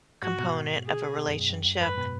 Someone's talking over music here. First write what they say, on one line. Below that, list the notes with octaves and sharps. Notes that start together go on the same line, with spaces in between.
component of a relationship,
G#2 F#4
B2
G#4
B2
F#2
F#2
F#2
F#2
G#2 B4
B2